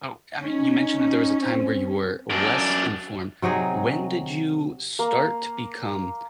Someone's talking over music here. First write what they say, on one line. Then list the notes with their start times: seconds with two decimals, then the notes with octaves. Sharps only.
Oh, I mean, you mentioned that there was a time where you were less informed. When did you start to become,
0.42 C#4 D#4
1.42 C4
2.30 F#2 D4
3.42 C3 F#3 D#4 G#4
4.99 A#3